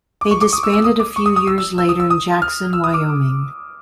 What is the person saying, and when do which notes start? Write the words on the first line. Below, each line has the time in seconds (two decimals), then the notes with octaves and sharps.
They disbanded a few years later in Jackson, Wyoming.
0.21 D6
0.31 C#6
0.41 D6
0.53 D#6
0.63 E6
0.73 E6
0.84 D#6
1.00 D6
1.16 C#6
1.26 D#6
1.36 D#6
1.47 E6
1.58 E6
1.78 E6
1.89 D#6
2.00 E6
2.10 D#6
2.42 F6
2.73 E6
2.84 D#6
2.94 D6